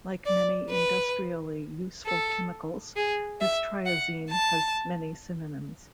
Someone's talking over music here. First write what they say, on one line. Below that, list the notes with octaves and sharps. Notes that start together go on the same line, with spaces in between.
Like many industrially useful chemicals, this triazine has many synonyms.
D5
B4
A4
G#4
E5
F#5
A5